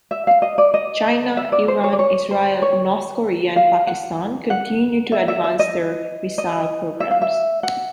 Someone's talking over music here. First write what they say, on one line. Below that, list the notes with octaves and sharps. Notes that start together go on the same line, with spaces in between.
China, Iran, Israel, North Korea, and Pakistan continue to advance their missile programs.
E5
F5
D#5
D5
D#5
E5
D5
C5
C#5
D5
C#5
C5
C#5
F5
F#5
F#5
E5
E5
E5
D#5
D#5
E5
F5
E5
F#5